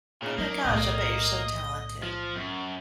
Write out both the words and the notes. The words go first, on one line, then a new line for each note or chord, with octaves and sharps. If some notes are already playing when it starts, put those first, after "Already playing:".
Oh, my gosh. I bet you're so talented.
A#2 C#3
D#3 F#3 A#3
B1 A2 D#5
F3
F#2